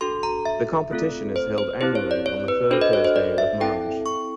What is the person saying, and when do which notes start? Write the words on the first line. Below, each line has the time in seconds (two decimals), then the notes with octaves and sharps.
The competition is held annually on the third Thursday of March.
0.01 D4 F#4 A4 C6
0.23 A#5
0.45 E5
0.91 A3 C4 F4 A4
1.36 C5
1.58 C5
1.81 C4 E4 G4 C5
1.95 C#5
2.11 D5
2.26 C#5
2.48 B4
2.71 D4 F#4 A4 C5
2.81 D#5
2.93 C#5
3.05 C5
3.16 D5
3.38 E5
3.61 C4 E4 A4 G5
4.06 C#6